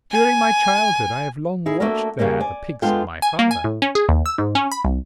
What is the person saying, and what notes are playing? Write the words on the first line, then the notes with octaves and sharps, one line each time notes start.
During my childhood I have long watched there the pigs of my father.
G#5
D#4 E4 G#4
A3 A#3 D4 F#4 A4 A#4
C#3 G3 A#3 A#4
D5 G#5
G#3 B3 D4 F4 A4 G5
G#5
A#3
G#5
A2
C#4
G#4
D#2
E6
G#2
C#4
B5
C2